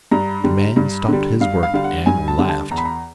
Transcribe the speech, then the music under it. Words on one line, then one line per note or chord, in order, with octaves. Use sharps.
The man stopped his work and laughed.
G2 A#5
D3 G3
G2
D3 G3
G2 F5
F5
D3 G3 F5
F#5
G2 G#5
A5
D3 G3
A5
E2 A#5
B5
A#5